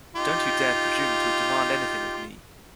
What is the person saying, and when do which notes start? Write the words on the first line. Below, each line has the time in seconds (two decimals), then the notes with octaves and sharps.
Don't you dare presume to demand anything of me!
0.16 D#4 F4 G4